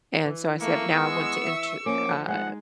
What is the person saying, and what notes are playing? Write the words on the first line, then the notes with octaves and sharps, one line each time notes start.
and so I said, “Now I want to enter “uh,
E3
A3 A#3 C#6 E6
G#3 B3
E5
F3 A#3 C#4 D6
G#3 D#4 F#5